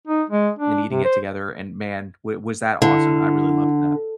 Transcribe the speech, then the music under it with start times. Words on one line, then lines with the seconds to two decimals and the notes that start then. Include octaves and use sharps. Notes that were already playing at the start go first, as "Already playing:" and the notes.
and eating it together, and, man, w was that awesome. I really loved that.
0.08 D#4
0.30 G#3
0.59 D4
0.91 C3
1.05 C5
2.82 D3 E4